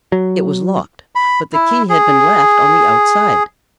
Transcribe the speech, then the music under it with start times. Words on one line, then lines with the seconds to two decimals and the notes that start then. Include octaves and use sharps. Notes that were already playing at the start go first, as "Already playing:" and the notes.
It was locked, but the key had been left on the outside.
0.12 F#3
1.15 B5
1.54 E4
1.90 G#4